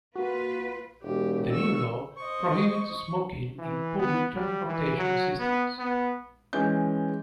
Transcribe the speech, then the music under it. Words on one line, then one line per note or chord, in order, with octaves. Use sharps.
The new law prohibits smoking in public transportation systems.
A#3 F4 F#4 B4
E1 G4
C#6 E6
C5 D#5 C#6
E3
B3
G3
E3
F#3
B3
B3
E3 G#3 C#4 G6